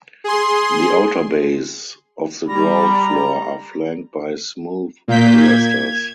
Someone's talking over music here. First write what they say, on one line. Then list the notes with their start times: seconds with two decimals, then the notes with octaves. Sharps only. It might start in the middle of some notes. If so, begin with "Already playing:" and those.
The outer bays of the ground floor are flanked by smooth pilasters.
0.24 G#4 C6
2.48 G3 A#5 B5
5.08 A#2 A#3 G6 B6
5.40 G#6